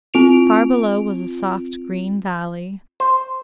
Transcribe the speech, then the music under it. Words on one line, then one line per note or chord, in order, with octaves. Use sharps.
Far below was a soft, green valley.
C4 F4 D7 F7
C5